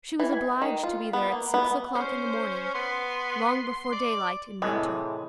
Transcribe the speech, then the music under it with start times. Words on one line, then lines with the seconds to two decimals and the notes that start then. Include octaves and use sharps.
She was obliged to be there at six o'clock in the morning--long before daylight in winter.
0.20 E3
0.33 G#5
0.62 D#3
0.83 F4
1.13 B3
1.32 A#3
1.54 B3
1.95 C#4 C5
2.74 B3 C6
3.92 D5
4.62 A2 C3 E3 G#3